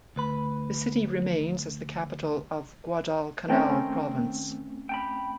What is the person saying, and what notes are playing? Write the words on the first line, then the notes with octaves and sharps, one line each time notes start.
The city remains as the capital of Guadalcanal Province.
D2 B4 B5
D#3 A3 C4 C#4 G5 A#5
G5 A5 B5